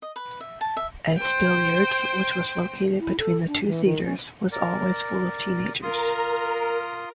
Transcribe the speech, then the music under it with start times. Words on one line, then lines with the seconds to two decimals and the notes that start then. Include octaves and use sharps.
Ed's Billiards which was located between the two theaters was always full of teenagers.
0.02 D#5
0.16 B4
0.40 E5
0.61 A5
0.77 E5
1.17 C5 G5
3.00 E4
3.19 A4
3.47 D4
3.66 E3
3.85 D#3
4.05 C#4
4.52 A#4 D5
5.83 F4 A#4 A#5 C6 D#6